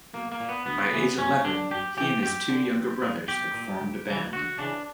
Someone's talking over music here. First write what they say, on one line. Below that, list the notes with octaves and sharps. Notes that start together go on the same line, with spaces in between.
By age eleven, he and his two younger brothers had formed a band.
B1 A#3
A#3
A#2
B3
D2 B3
C#3 E3
F#2 C#4
D3 D4
F#2 G4
C#3 E3 G4
F#2 G4
D3
B1
A#2
B1 G4
A#2
D2
C#3 E3
D2 F#4
C#3 E3 D4